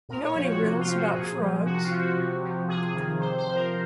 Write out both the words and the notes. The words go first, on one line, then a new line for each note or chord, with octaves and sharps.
Do you know any riddles about frogs?
A#2 A#4
C#5
F3 C#5
F#4
C3 F#4
F4
F3
F#4
A#2 G#4
F3
C3 F#4
F4
F3
F#4
C3
F3
C3 G#4
D#3
C3 C5
C5
F3
A#4